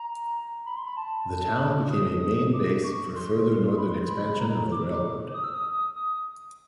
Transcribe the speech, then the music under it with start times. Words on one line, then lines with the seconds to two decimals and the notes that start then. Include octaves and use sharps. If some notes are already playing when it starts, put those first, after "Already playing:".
The town became a main base for further northern expansion of the railroad.
Already playing: A#5
0.66 B5
0.77 C6
0.87 B5
0.97 A5
1.90 D#6
2.22 D#6
2.53 D6
2.84 C#6
3.16 C6
3.46 C6
3.78 B5
3.89 C6
4.09 B5
4.25 B5
4.40 A#5
4.72 D6
5.34 D#6
5.44 E6
5.54 D#6
5.96 D#6